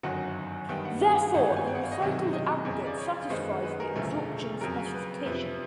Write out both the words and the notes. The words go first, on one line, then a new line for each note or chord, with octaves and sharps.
Therefore, the recycled aggregate satisfies the absorption specification.
G1 F#2 D#3 F#3 F#5
G2 D#3 G3 B3 G5
F#5
F5
G#1 G2 E3 G#3 F#5
F#5
G#5
G5
F#5
F5
D#5
E1 E2 C3 D#3 F#3
D#5
F2 C#3 E3
D5
C#5
F#2 D#3 G#3 B3 C5
B4
A#4
E1 D2 C#3 F3 A3
F2 C#3 F#3 A#4
B4
F2 C3 F3 B4